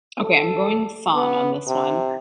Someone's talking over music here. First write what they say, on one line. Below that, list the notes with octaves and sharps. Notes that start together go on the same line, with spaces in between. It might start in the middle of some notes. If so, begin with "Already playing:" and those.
Okay, I'm going song on this one,
A4
B3
C3